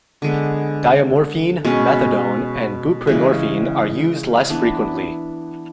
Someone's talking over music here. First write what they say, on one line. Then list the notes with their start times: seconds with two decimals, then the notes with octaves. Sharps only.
Diamorphine, methadone and buprenorphine are used less frequently.
0.22 D3 G#3 B3
1.65 B2 G#3 C#4
3.07 C#3 E3 G#3
4.49 E3 B3 D4